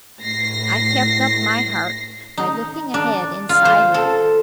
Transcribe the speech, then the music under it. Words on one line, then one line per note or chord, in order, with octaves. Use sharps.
I kept up my heart by looking ahead inside me.
A2 A#6 C7
D#4
D4
F4
C5
A4